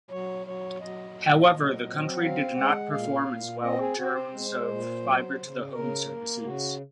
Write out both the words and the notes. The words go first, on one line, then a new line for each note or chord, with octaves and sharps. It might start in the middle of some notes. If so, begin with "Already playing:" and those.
However, the country did not perform as well in terms of fiber-to-the-home services.
F#3 C#5
F#3 C#5
F#3 D#5
A#2
F#3
C4
F#5
C4 F5
G#3 F#5
A#2 F5
A#2
C4 D#5
G#4
C4 F#4
C5
G#3
A#2
F#3
C#3
C#3 A#4
A#3
C#3 F#4